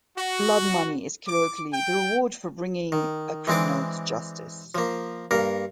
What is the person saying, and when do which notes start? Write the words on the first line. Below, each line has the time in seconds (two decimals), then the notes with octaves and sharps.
Blood money is, colloquially, the reward for bringing a criminal to justice.
0.17 F#4
1.27 D6
1.71 G5
2.92 D#3
3.47 E3 G#3 C4 D4 D6
4.75 F3 A#3
5.31 G2 A#3 A#4